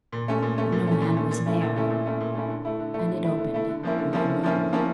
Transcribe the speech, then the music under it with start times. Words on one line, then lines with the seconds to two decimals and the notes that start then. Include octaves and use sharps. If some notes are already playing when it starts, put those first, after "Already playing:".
But no hand was there, and it opened no more.
0.13 A#2
0.28 A3 C#4
0.42 A#2
0.58 A3 C#4
0.72 A#2
0.87 A3 C#4
1.02 A#2
1.17 A3 C#4
1.31 A#2
1.46 A3 C#4 E4
1.61 A#2
1.76 A3 C#4 E4
1.90 A#2
2.06 A3 C#4 E4
2.20 A#2
2.35 A3 C#4 E4
2.50 D3
2.65 A3 E4
2.80 D3
2.94 A3 E4
3.09 D3
3.25 A3 E4
3.38 D3
3.54 A3 E4
3.69 D3
3.83 F3 A#3 C#4 E4
3.98 D3
4.13 F3 A#3 C#4 E4
4.28 D3
4.43 F3 A#3 C#4 E4
4.58 D3
4.73 F3 A#3 C#4 E4